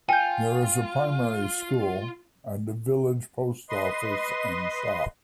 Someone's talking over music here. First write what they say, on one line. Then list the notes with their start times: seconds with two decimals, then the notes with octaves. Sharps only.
There is a primary school, and a village post office and shop.
0.09 F4 G5 G#5 G6
3.70 B4 D#5 C6